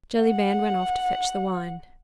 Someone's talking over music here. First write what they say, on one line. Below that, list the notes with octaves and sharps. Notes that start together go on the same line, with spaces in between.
Jellyband went off to fetch the wine.
F#5